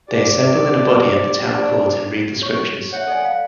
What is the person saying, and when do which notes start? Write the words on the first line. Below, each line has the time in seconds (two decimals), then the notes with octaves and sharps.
They assemble in a body at the Town Court and read the scriptures.
0.08 G4 C5 D5
1.45 D4
2.42 C#5 C#6
2.93 C#5 E5 F#5
3.07 A4 D5 G#5
3.25 F5